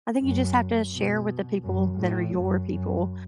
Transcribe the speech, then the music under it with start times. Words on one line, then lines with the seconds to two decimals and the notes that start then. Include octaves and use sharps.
I think you just have to share with the people that are your people.
0.21 F#2
0.92 B2
1.63 F#2
1.98 A2
2.35 F#2
2.70 F#2